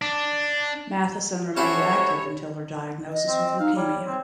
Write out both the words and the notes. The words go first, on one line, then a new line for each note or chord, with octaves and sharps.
Matheson remained active until her diagnosis with leukemia.
D4
C#4 E4 F#4 G4 A4 C5 C#5
D#5
C4
D#4 F5
G3 C#5
C4